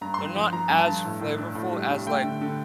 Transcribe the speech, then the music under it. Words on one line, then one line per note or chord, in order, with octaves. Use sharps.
they're not as flavorful as, like,
G2 A#5
G2 C6
F3
F3 A#5
G2
A5
G2
A2
A2
D4
A2
G3
D4
A3 G5
D3
D3